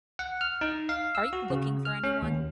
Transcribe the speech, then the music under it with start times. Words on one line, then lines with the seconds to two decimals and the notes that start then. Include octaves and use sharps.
Are you looking for any one?
0.19 F#5
0.41 F6
0.61 D#4
0.89 F5
1.15 E6
1.33 F#4
1.50 C#3
1.85 F6
2.04 C#4
2.22 D#2